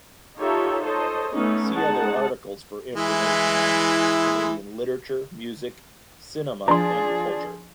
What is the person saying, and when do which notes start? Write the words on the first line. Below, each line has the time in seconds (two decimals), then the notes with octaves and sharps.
See other articles for information on Canadian literature, music, cinema and culture.
0.38 D#4 F4 G4 A4 C#5 E5
0.83 A4 C5 C#5 D#5
1.33 A3 B3 C#4 D#4
1.74 G#3 D#4 F#5 A5
2.96 E3 G#3 E4
6.68 F3 D4 G#4 A#5 C6